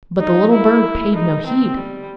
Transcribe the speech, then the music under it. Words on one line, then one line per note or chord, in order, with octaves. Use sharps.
But the little bird paid no heed.
D#4
E4
D#4
C4
G3